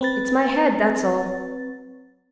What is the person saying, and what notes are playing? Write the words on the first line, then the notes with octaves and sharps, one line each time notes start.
It's my head, that's all.
C4 B4 A6